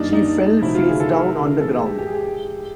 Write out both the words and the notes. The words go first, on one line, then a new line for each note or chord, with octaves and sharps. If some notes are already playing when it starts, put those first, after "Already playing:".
She fell face down on the ground.
Already playing: F#2 D#3 G3 A#3 D4 D#4
D#4
C3 D#3 F#3 A3 E4
F4
G#4
A4
A#4
A2 E3 G#3 A4
G#4
G4
G4
G#4
G4